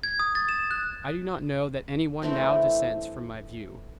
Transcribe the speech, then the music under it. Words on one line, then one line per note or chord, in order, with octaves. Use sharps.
I do not know that any one now dissents from my view.
G#6
D#6
A6
E7
F#6
E3 A3 C4 D4